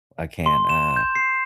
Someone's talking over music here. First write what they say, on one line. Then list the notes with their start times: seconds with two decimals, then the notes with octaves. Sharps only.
I can't, uh,
0.46 C6
0.69 E7
0.96 G6
1.15 C7